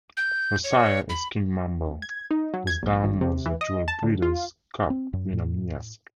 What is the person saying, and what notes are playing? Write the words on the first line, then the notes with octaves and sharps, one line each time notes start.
Her sire is Kingmambo, whose dam was the dual Breeders' Cup winner Miesque.
G6
C#5
B5
G#6
D#4
F#3
G#6
A#1
G#1
C3
E3
D#5
A5
D2
F4
C4
F#2
A2